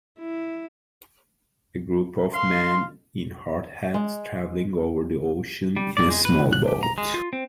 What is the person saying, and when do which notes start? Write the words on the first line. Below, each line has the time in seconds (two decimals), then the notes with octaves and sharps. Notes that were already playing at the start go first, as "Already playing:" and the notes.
A group of men in hard hats traveling over the ocean in a small boat.
0.19 E4
2.34 F5 C6
3.94 G#3
5.76 G3
5.97 D5
6.10 G#3
6.25 B4
6.53 F#6
6.68 G4
6.83 A#5
6.98 G#3
7.14 F4
7.33 C4